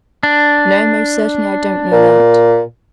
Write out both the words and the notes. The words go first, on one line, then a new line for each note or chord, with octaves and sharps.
"No, most certainly I don't know that."
D4
A#2